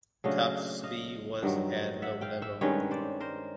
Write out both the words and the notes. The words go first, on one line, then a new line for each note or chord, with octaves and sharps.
Top speed was at low level.
C#3 F#3 A3 D4 D#5 F5
D#5 F5
G2 D#3 F#3
E5 F#5
F5 G5
E5 F#5
G2 D#3 G#3 C#4 B4 C#5
C5 D5
A#4 C5